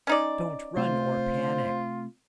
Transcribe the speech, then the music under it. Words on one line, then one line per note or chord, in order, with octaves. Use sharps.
Don't run or panic.
C#4 D#4 D5
C3 A3 F4 C5